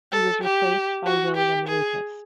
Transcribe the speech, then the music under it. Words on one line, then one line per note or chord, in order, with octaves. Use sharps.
He was replaced by William Lucas.
A4
G4
F#4
G4
G#4